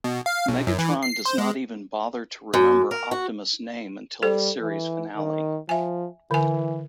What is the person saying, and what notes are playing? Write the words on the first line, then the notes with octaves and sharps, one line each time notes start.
Megatron does not even bother to remember Optimus' name until the series finale.
B2
F5
B1
F#2
E3
C7
C5
G#3
F#2
A#4
F#4
G3 A4 C5
E3
D#3
F3 E5 G#5
D3 E3 G#5